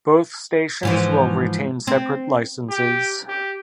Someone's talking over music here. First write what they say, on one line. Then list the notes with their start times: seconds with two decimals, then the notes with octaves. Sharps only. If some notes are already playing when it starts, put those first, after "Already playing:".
Both stations will retain separate licenses.
0.83 G#2 E3 F3
1.87 C4
2.70 G4
3.28 G4